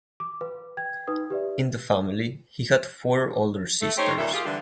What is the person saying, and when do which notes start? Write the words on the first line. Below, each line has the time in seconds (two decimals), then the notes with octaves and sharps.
In the family he had four older sisters.
0.20 D6
0.41 B4
0.77 G5 G#6
1.07 D#4 B4 D#6
1.30 G4 B4 D5 E5
3.82 A3
3.97 D#4 G4 C5 C#5
4.18 D#2 A#2 G3 A4 A#4 E5
4.33 F4 G4 G#4
4.45 D3 E3 G3